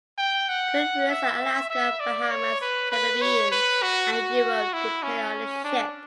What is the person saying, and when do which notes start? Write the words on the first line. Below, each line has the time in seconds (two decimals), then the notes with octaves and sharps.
Current routes are Alaska, Bahamas, Caribbean, and Europe, depending on the ship.
0.18 G5
0.49 F#5
1.09 E5
1.70 E5
2.00 D5
2.31 C#5
2.61 B4
2.91 B4
3.22 C#5
3.52 B4
3.82 F#4
4.12 F#4
4.73 E4
5.03 C#4
5.64 D4